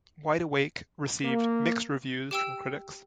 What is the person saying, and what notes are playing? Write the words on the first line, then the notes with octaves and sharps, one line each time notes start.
"Wide Awake" received mixed reviews from critics.
A#3
G4 G5 E6